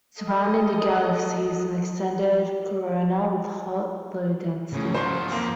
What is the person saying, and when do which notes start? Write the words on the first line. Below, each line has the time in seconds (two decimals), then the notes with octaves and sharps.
Surrounding the galaxy is an extended corona with hot, low density gas.
0.22 A4 D#5
4.73 A2 C#3
4.94 F3 F#4 C5
5.31 F2 A#3 C4